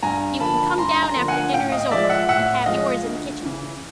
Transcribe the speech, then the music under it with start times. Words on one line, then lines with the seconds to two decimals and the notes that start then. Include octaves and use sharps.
"You can come down after dinner is over and have yours in the kitchen."
0.03 G2 G#5 A#5
0.40 D3 F3 A#3 A5 B5
0.77 G2 A#5 C6
1.03 A#5 C6
1.16 D3 F3 A#3
1.28 F#5 G#5
1.53 A2 F5 G5
1.72 D#5 F5
1.91 F3 G#3 D5 E5
2.10 E5 F#5
2.29 A2 E5 F#5
2.66 F3 G#3 D#5 F5
3.04 D2
3.42 C#3 E3